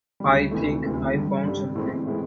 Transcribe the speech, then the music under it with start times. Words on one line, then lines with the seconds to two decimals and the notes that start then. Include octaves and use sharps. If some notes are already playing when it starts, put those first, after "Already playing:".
I think I found something.
0.20 D2 D3 G3
0.51 D2 C3 E3 A3
0.82 D2 C3 E3 A3
1.14 G2 D3 G3
1.44 G2 D3 G3
1.76 A2 E3 G#3 C4
2.06 A2 E3 G#3 C4